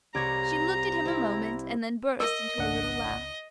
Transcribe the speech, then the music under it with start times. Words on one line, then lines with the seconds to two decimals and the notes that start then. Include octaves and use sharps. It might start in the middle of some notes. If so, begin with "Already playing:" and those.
She looked at him a moment and then burst into a little laugh.
0.15 C2 C#5 A#5 D6 G#6
1.05 C4 E4
2.20 A#4 D#5
2.58 G#1 C#2 D4 F#5